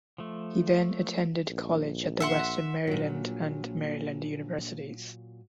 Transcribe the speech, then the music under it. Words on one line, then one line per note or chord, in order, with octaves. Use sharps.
He then attended college at the Western Maryland and Maryland universities.
F3 A3
A#1
E5 F#5 C6
A#1 A#2 F#3